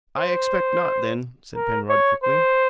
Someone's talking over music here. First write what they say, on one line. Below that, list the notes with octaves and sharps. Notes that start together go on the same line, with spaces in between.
"I expect not, then," said Penrod, quickly.
C5
A#4
C#5
C5